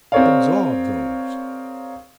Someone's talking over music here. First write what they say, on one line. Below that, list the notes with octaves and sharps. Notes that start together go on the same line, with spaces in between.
Absorb those.
C4 G#4 A#4 C#5 D5 F5